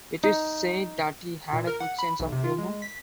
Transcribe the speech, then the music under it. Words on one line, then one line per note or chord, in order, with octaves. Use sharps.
It is said that he had a good sense of humour.
D#4
A#2
A#4
F#5
B5
B1
C3
F4
G#3
B6